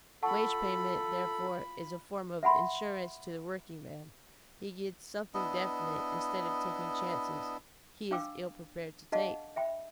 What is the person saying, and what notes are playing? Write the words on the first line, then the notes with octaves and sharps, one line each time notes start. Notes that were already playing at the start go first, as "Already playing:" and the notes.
Wage payment, therefore, is a form of insurance to the workingman; he gets something definite instead of taking chances he is ill prepared to take.
F4 A4 F#5 A5 B5 C#6
E5 F#5 G#5 B5 C6
B3 D4 E4 D#5
D4 F5 G5 D6 E6
D4 G#4 D#5 F5 F#5 A5
E5 G5 B5